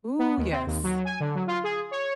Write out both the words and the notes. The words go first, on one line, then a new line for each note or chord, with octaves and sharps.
Ooh, yes.
B3
D#2
C4
D#2
F#3
G#5
D3
F#3
F4
G#4
C#5